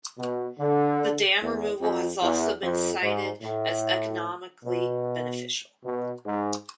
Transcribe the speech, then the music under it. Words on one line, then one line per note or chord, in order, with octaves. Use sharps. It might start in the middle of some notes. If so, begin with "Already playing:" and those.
The dam removal has also been cited as economically beneficial.
B2
D3
E2
F2
E2
F2
G#2
A2
B2
B2
G#2